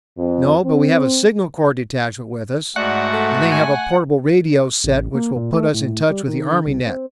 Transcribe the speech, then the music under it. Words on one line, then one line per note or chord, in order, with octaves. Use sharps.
"No, but we have a Signal Corps detachment with us, and they have a portable radio set which will put us in touch with the army net."
F2
C4
G#2 A3 F#4 D5 F#5
A4
G#5
A1
A#3
A#2
A3
A2
G3
D#3
D3
C2
C4